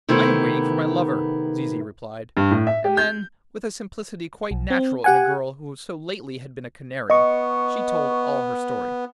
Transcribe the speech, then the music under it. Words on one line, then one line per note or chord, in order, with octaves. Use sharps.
'I am waiting for my lover,' Zizi replied; and then, with a simplicity quite natural in a girl who so lately had been a canary, she told all her story.
C3 D#3 A3 B3 E4
G2
A2
E5
G4
G6
B1
C4
G4 F#5 G#5
B3 D#5 C#6